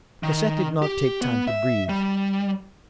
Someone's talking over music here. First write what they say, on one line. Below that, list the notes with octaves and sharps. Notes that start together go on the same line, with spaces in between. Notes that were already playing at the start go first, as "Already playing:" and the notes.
Cosette did not take time to breathe.
D#3
G4
B3
E5
G3